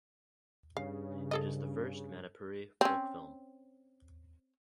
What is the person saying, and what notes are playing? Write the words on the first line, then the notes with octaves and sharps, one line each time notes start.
It is the first Manipuri folk film.
G2 C#3 F5
G#4 A4 D#5
C4 C#4